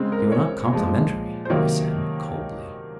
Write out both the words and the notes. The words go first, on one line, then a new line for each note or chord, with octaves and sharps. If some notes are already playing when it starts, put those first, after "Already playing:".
"You are not complimentary," I said coldly.
Already playing: C#3 G#3 C4
A#4
C#5
A#2 F3 G#3
C5
C3 D#3 F#3 A#3 C#5